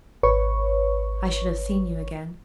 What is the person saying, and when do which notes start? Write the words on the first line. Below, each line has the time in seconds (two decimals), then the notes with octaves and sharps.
"I should have seen you again."
0.23 G#1 B4 C#5 C#6